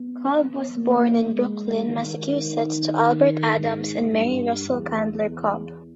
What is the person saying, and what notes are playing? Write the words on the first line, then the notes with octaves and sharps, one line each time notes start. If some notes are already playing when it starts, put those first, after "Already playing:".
Cobb was born in Brookline, Massachusetts to Albert Adams and Mary Russell Candler Cobb.
Already playing: B3
A#3
G#3
D#3
G#2
G2
E2
E2